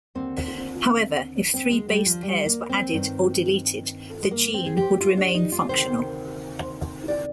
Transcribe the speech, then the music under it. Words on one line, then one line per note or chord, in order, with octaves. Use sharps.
However, if three basepairs were added or deleted, the gene would remain functional.
D#2 D3 C4
C4
G#3
G3
F3
G3
A#3
C4
G2 D#3
G#3
A#3
C4
G#4
G4
F4
D4
D#4
F4
D2 C3 D#3 C5
D5